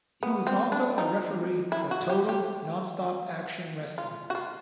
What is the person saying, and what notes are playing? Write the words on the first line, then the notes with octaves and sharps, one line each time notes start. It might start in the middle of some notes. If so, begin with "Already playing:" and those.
He was also a referee for Total Nonstop Action Wrestling.
B3
C4
D4
D#4
E4
F#4
G4
G4
F4
F#4
F4